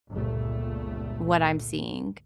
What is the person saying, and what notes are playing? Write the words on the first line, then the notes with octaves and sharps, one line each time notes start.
what I'm seeing.
G1 C#2 A#2 A3